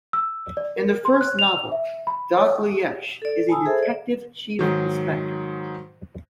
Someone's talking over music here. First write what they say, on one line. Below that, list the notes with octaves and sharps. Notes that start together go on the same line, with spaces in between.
In the first novel, Dalgliesh is a Detective Chief Inspector.
E6
D5
A#4
C6
F#6
F7
E5
B5
C#5
A4 D5
G#5 A5 B5 D#6 E6
G#4 A4 C5 E5
D5
G#2 D#3 F#3